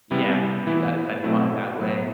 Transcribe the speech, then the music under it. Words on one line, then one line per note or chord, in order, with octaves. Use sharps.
Yeah, you gotta kind of find that way.
C3 G3 B3 E4
E3 B3 E4
B2 F#3 A3 C4 E4
A2 F#3 B3